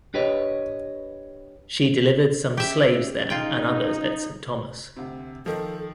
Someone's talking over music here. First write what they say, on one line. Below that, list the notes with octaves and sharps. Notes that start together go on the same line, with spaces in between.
She delivered some slaves there and others at St Thomas.
D4 G4 B4 C#5 D#5
C#4 G4 G#4 E5
D#4 F4 G5
D2 C3
D#3 F3 A4